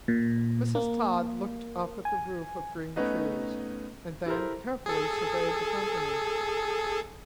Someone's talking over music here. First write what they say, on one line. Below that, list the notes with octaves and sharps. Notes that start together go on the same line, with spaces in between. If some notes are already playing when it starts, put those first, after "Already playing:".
Mrs. Todd looked up at the roof of green trees, and then carefully surveyed the company.
A#2
A#3
G#5
A3 B3 C#4 D#4 B4 D#5
E4 G4 A4 A#4 C5
G#4 A4